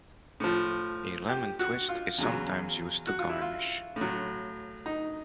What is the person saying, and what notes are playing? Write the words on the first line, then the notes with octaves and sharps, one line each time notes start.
A lemon twist is sometimes used to garnish.
A2 F3
G4
F#4
F4
E2 C#3 F#3
F#4
F4
E4
F4
A2
F#3
D#4